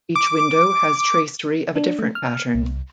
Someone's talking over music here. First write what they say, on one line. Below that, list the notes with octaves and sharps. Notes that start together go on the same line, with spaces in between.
Each window has tracery of a different pattern.
D6
D4
A3
F6
C2